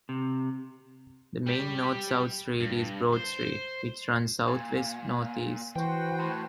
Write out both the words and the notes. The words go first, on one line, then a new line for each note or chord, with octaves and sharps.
The main north-south street is Broad Street, which runs southwest-northeast.
C3
G3
G2
C5
A#2
E3 F#4 B4 C5 G5
A2